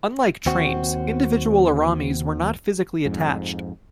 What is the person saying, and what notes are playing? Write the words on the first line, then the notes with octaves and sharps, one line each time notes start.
Unlike trains, individual Aramis were not physically attached.
D#2 C4 F#4
F2 G#2